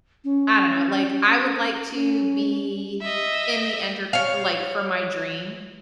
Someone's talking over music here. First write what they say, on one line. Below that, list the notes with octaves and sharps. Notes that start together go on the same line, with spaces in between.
I don't know, like, I would like to be in the entert like, for my dream,
C#4
C#4
D#5 E5
C#5 F5